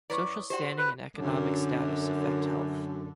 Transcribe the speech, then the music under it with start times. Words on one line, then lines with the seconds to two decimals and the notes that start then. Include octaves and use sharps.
Social standing and economic status affect health.
0.10 F#2 E4 B4 C#5 D5 C#6
0.33 D#6
0.50 F#4 G4 C5 D5 G5
0.78 B4
1.16 F#2 D3